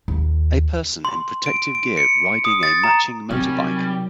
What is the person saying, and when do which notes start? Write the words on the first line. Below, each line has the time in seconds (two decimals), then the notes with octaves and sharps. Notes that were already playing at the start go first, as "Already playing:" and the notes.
A person in protective gear riding a matching motorbike.
0.08 D#2
1.05 C6
1.46 D7
1.75 D7
1.97 C#7
2.45 D#6
2.63 A6
2.84 A#5
3.31 C3 F#3 G3 A#3 C#4 D#4